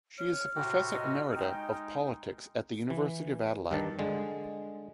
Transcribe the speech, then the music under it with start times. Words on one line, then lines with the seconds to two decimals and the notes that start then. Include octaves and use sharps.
She is the Professor Emerita of Politics at the University of Adelaide.
0.18 C#5 F6
0.55 A2 C3 F#4 G5
0.91 D#5
1.35 G#3 D#4 G5
2.90 E3
3.71 G2 D#3 A5
3.99 D3 G#3